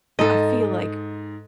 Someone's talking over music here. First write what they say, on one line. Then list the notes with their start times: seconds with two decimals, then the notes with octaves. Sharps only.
I feel like
0.19 G#2 A4 D#5